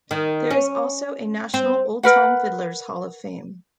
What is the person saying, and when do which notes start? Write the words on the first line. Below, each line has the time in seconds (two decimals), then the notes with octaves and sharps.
There is also a National Oldtime Fiddlers' Hall of Fame.
0.11 D#3
0.51 C#4
1.54 C4
2.03 A#4 B4 F#5